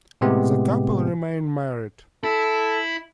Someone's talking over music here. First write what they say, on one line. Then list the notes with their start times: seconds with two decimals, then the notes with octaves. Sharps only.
The couple remain married.
0.21 A2 C3 G#3 B3 G4
2.24 E4 A4